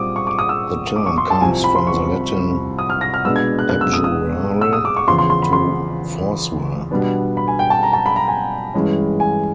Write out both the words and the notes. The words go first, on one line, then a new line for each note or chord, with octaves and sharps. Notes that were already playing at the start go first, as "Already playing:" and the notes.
The term comes from the Latin "abjurare", "to forswear".
Already playing: A#2 G3 C4 D6 D#6
C#6
D6
D#6
E6
D6
C#6
C6
A5
C2 C3 F3 G#5
B5
C6
C#6
D#6
F6
A#6
F6
B2 G#3 B3 D4 E6
G#6
F#6
F#6
E6
D#6
D#6
E6
D#6
D6
C#6
E2 C#3 F3 C6
C6
C6
B5
C6
B2 G3 B3 D4
B5
G#5
G5
A5
A#5
A5
B5
A#5
G#5
G2 E3 G#3 C#4
G#5